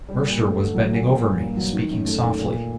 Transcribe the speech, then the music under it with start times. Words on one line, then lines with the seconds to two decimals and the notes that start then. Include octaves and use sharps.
Mercer was bending over me; speaking softly.
0.08 G3
0.25 A#2
0.42 A3
0.58 D3
0.74 F#3
0.91 A#2
1.08 F#3
1.24 G2
1.40 A#3
1.57 F#3
1.73 D#3
1.90 F#2
2.06 A3
2.22 D#3
2.39 A#2